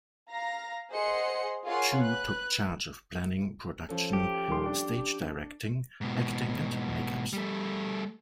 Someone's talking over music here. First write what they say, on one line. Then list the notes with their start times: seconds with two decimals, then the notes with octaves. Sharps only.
Chu took charge of planning, production, stage directing, acting, and makeups.
0.29 F5 A#5 A#6
0.91 G#4 C5 D#5 F#5 C6 C#7
1.66 F4 G#4 A#4 C#5 F#5 C6
2.01 B4 F#6
3.89 F3 C#4 A4
4.13 G4
4.48 D#1 D#3 C6
4.66 D4
6.01 G#2 B2
7.33 G3 A3